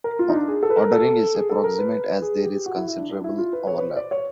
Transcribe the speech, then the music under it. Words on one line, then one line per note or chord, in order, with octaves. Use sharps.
Ordering is approximate, as there is considerable overlap.
A#4
F4
D#4
D4
G#4
A4
B4
A#4
A4
G#4
A4
A#4
B4
G#4
G4
F#4
E4
E4
D4
D4
E4
F4
B4
C#5
B4
C5
D5
C#5